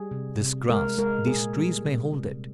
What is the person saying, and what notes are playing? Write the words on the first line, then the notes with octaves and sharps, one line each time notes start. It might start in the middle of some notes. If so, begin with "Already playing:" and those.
This grass, these trees, may hold it.
Already playing: G3 G#4
C3
C3
G#3 A#4
G#3 A#4
A#2 G#4
G3
C3
C3